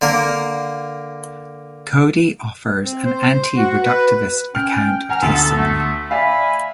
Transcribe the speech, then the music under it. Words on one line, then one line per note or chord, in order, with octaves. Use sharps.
Coady offers an anti-reductivist account of testimony.
D3 A#3 A#4
C4
C5
F#4
B4
C#4 G5 F6
E3 F#5 G#5 A#5 F6
D2 B3 A4
A3
D5 E5 F5 G#5 B5